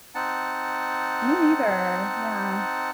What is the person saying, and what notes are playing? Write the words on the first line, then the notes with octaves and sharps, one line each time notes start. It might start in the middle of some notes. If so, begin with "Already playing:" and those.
Me neither, yeah.
C4 D#4 F#5 A5